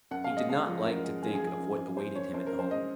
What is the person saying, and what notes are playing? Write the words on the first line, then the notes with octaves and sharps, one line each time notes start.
He did not like to think of what awaited him at home.
F#2 F#5
F5
G#3
D#5
G#3 F5
F3
F#2 A#4
G#3
F3 G#4
G#4
F3
G#4
F#2
F#2
F#2 C5
F#2 C#5
F#2 C5
A#4
F#2
C5
G#3 D#5